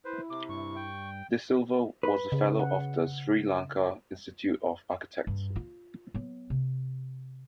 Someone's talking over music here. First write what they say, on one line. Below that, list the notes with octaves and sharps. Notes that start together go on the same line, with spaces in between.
De Silva was a fellow of the Sri Lanka Institute of Architects.
E4 B4 C5
C3 D6
G2 C#6
G5
B4
C#3
F#5
G2
F4
F#3 B3
C3